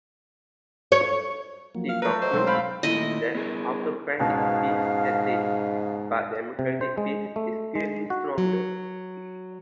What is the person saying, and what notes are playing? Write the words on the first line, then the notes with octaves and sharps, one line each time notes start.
He concludes that autocratic peace exists, but democratic peace is clearly stronger.
C#5
F3 F#3 A#3
F5
A3 A#4 B4
F#3 C5 D#5
B2 F#3 G#3 C4
F5 G5 B5
A#2 D#3 A3 E4 D#5
B3 G#4 A#4
C#2 G#2 B2 F5
C3
C5
G#3
A3
G#3
F#4
F#3